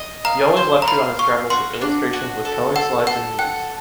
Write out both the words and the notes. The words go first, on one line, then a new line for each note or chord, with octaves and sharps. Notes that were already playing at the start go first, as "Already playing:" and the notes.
He always lectured on his travels with illustrations with color slides and movies.
Already playing: D#5
F5 A#5
C5
A#5
F5 B5
F5 C#6
F#4 C6
D4
F#4
A4
A4 F#5
A4 F#5
F#5 G5